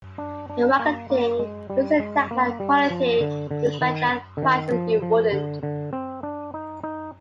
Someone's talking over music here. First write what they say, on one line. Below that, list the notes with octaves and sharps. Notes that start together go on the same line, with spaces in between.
The marketing uses the tagline "quality you'd expect at prices you wouldn't".
D4
D4
A#3
A#3
G#3
G3
G#3
A#3
G3
F3
D3
D3
D#3
D3
D#3
F3
F3
D3
D3
C4
D4
D#4
D#4